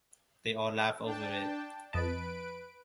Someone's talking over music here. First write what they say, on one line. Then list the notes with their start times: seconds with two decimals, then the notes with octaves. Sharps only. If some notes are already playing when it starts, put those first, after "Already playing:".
They all laugh over it.
1.05 D4 G5 A5
1.93 F2 B4 D#5 A5 D7